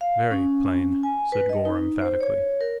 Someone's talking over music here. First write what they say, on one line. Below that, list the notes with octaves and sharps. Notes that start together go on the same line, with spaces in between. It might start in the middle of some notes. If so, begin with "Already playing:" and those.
"Very plain," said Gore, emphatically.
F5
C#4
G#5
B4
D#5
D#4
C5
C#5
A#4